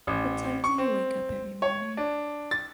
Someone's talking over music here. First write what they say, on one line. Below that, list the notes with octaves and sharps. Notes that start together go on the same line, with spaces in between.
What time do you wake up every morning?
A1
C#6
C4
C#5
D4
A6